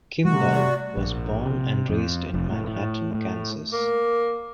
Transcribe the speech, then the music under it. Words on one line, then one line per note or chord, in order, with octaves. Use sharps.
Kimball was born and raised in Manhattan, Kansas.
C3 G3 A3 F#4
D5
A#1
C3
F2
F1
A2
A2
A2
A#3